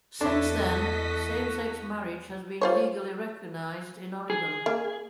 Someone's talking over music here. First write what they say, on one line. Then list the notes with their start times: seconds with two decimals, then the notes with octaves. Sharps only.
Since then, same-sex marriage has been legally recognized in Oregon.
0.21 E2 D4 E4 F#4 A4 D#5 B6
2.61 F4 C5 C#5
4.30 G#4
4.66 A#3 F5